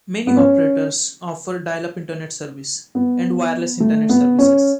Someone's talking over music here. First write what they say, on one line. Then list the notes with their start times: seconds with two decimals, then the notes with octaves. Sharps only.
Many operators offer dial-up internet service, and wireless internet services.
0.27 B3
0.37 C#4
2.95 B3
3.80 A3
4.09 B3
4.38 C#4